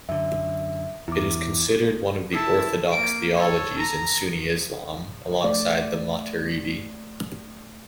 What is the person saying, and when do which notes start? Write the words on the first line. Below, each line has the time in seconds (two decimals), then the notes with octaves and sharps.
It is considered one of the orthodox theologies in Sunni Islam, alongside the Maturidi.
0.09 F#2 D3 E5
1.08 E2 E4 D6
2.32 E4 A5
2.91 A#3 D7
3.35 A4 C#5
3.79 A#5
5.44 A3 D5